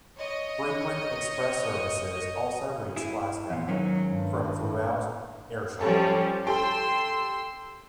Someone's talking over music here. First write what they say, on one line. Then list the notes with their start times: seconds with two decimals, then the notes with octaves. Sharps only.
Frequent express services also reach Glasgow from throughout Ayrshire.
0.17 C#5 D#5
2.96 E4 G#4
3.50 E2 A#2
3.68 G#2 D#3 F#3 C#4
4.12 G2
5.81 F3 G3 C#4 A4 G#5 A5
6.47 G4 A4 G5 C6 E6